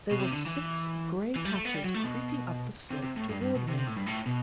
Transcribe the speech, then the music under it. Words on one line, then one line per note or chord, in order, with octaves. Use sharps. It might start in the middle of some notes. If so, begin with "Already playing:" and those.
There were six gray patches creeping up the slope toward me!
B2
C3
D3
E3
E3
G3
A3
B3
G3
F#3
A3
B2
C3
C3
A2
G2
G2
B2
C3
C3
A2
G2
A2
B2